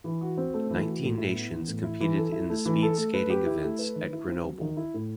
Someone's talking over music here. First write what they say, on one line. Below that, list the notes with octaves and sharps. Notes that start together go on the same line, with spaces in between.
Nineteen nations competed in the speed skating events at Grenoble.
E3
F#4
C4
A3
E3
F#4
A2
E4
B3
E3
A2
E4
E3
A4
E4
A3
E3
A4
A3
B4
G4
E4
A3
B4
D#3
E4
C4
F#3
D#3
E4
A2